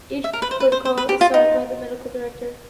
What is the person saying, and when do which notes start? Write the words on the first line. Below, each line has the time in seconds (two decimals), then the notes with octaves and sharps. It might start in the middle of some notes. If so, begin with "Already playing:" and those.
Each protocol is signed by the medical director.
0.24 E5
0.33 A#4
0.42 B4
0.51 C5
0.60 B4
0.72 C5
0.85 C5
0.97 B4
1.09 G4
1.21 F4
1.34 D#4